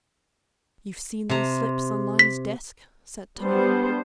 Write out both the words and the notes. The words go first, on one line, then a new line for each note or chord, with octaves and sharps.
"You've seen these slips on Lyne's desk?" said Tarling.
C3 A#5
B6
G3 B3 D4 C5